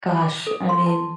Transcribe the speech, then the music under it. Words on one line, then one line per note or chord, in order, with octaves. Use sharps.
Gosh, I mean,
D6
A4
C6
A5